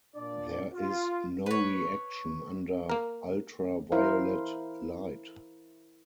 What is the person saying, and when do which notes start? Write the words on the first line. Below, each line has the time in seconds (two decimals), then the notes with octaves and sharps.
There is no reaction under ultraviolet light.
0.16 A#2 D4 F4 D5
0.74 F4
1.46 B4 C#5
2.90 A#3 A#4
3.92 E4 A#4 C5 F5